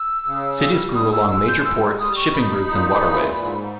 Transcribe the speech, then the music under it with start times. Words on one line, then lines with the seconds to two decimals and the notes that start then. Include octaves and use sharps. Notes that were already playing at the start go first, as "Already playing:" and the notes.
Cities grew along major ports, shipping routes, and waterways.
Already playing: E6
0.26 C#3
0.60 G3
0.95 G#2 D#6
1.13 E6
1.30 G#3 E6
1.48 G6
1.65 G3 E6
1.99 G3 D#6
2.16 C#6
2.33 D#4 B5
2.68 A#2
3.02 E3
3.38 G#2